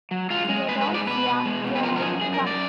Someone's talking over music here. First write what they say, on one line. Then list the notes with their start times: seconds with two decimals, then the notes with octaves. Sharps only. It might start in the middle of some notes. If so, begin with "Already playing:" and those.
Philadelphia, Here I Come!
0.11 F#3
0.30 G#3 F4
0.49 G#3
0.68 G#3 B4
0.81 B4
0.88 G#2
0.94 D5
1.07 B2 B4
1.26 B2
1.45 G#3
1.64 B2
1.75 B4
1.83 F3 A#4
1.96 A#4
2.02 F#2 G#4
2.21 F#2 G#4
2.34 A#4
2.40 F#2
2.47 D5